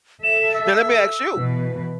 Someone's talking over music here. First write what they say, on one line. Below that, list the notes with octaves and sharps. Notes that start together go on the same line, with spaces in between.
Now let me ask you.
A4 E5 E7
E6
B2 E3 B4